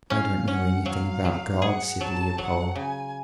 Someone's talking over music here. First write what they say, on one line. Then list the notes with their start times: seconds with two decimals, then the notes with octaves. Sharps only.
"I don't know anything about God," said Leopold.
0.10 C#4 F5
0.48 C#4 F#5
0.86 F#3 F5
1.25 F#3
1.62 G#4 F#5
2.00 F#3 A5
2.38 F#3 F#5
2.76 C#3 G#5